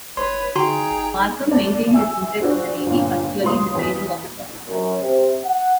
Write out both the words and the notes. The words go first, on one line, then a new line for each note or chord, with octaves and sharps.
Markham maintained his interest in the navy, particularly in the training of its officers.
G1 B4 C#5 C6
D3 D#4 F#4 G#4 G5 A#5 C6
G#1
D5 A5
E5 G#5 E6
D4 F4 F#4 G#4 C5
G1 A#2
C#2 F#3 G3 B4 C6 D#6
E2 E3 B6
F#2
C3
F#5